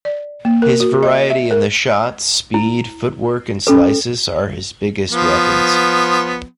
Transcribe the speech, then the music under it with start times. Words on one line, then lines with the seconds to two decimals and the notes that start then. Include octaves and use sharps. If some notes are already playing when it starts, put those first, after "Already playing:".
His variety in the shots, speed, footwork, and slices, are his biggest weapons.
0.05 D5
0.45 A#3
0.62 A#4
0.80 F#4
1.03 D#5
1.30 E5
1.51 A#4
2.54 E4
3.67 C#4 A4 B4
5.11 F3 B3